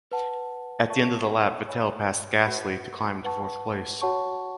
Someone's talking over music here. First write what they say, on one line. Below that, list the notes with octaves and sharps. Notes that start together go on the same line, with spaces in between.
At the end of the lap Vettel passed Gasly to climb into fourth place.
B4 F#5 A5
A4 C#5 E5 A5 C#6
C#5 G#5 B5
F#4 B4 F#5 B5
B4 F#5 A5 C#6
F#4 C#5 F#5 A5 C#6